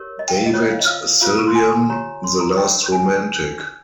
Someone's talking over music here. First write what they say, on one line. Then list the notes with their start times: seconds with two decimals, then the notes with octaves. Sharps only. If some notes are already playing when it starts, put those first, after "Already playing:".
"David Sylvian: the Last Romantic".
Already playing: G4 A#4 C#5
0.19 D#5
0.28 G5
0.36 F5
0.46 D#5
0.54 F4 C5 C#5
0.62 D#5
0.71 F5
0.80 D#5
0.88 F5
1.21 F4 G#4 C5 F5
1.30 D#6
1.38 C#6
1.47 C6
1.55 G#5
1.73 G#5
1.90 G4 C#5 A#5
2.24 C6
2.40 A#5
2.57 D#4 A#4 C#5 G5
2.92 G#5